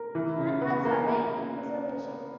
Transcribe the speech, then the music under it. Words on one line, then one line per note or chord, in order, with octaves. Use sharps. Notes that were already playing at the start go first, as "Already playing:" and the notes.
None have survived to preservation.
Already playing: A#4
E3
C#3
B3
A#3
A#3